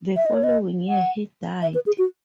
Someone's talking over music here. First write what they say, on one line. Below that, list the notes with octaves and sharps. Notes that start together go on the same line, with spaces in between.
The following year he died.
E5
D#5
C#5
D#5
F#5
E5
B4
G#4
F#4